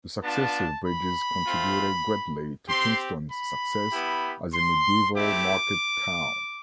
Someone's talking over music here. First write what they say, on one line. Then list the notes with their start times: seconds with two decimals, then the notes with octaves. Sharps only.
The successive bridges contributed greatly to Kingston's success as a medieval market town.
0.23 B3 D4 F4 A5
0.85 B5
1.46 A3 C4 F4
2.69 C4 G4 C6
3.30 B5
3.91 B3 E4 G4
4.53 C6
5.15 A3 C4 E4 G4 D6